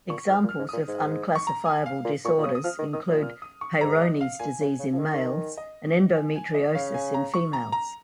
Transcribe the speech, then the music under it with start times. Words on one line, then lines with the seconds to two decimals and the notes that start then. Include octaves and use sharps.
Examples of unclassifiable disorders include Peyronie's disease in males and endometriosis in females.
0.09 A#2 C#6
0.29 G#2 F6
0.43 A#2
0.49 F6
0.59 G#2
0.69 A#2 D#6
0.88 G#2
1.35 C#6
1.47 A#5
1.66 G#5
1.86 F5
2.05 A#2
2.24 A#2 C#6
2.38 A#2
2.44 C#3 D#6
2.55 D#6
2.64 F3 F6
2.79 D#3
2.93 D#3 D#6
3.08 A#2
3.23 F6
3.42 D#6
3.61 C#6
3.81 G#2 A#5
4.01 D#5
4.21 F5
4.40 A#2 G#5
4.60 C#3
4.79 C#3
4.93 F3
4.99 D#3
5.57 D#5
6.16 G#5
6.36 G#5
6.55 D#5
6.74 C#3 F5
6.94 G#5
7.14 A#5
7.34 C#6
7.53 A#5
7.72 A#5